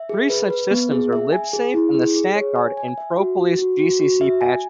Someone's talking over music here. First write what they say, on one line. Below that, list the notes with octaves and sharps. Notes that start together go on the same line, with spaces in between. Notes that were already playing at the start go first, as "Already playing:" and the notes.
Three such systems are Libsafe, and the "StackGuard" and "ProPolice" gcc patches.
Already playing: E5
G#4
B4
B4
B3
G#4
E5
G#5
G#4
E4
G#4
G#4
C#5
G#5
G#5
E5
F#4
F#4
F#4
F#4
F#4
E5
G#5